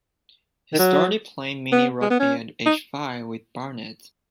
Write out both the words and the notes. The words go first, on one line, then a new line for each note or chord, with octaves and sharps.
He started playing mini rugby at age five with Barnet.
D#3
F#3
B3
G#3
B3
C#4
D#4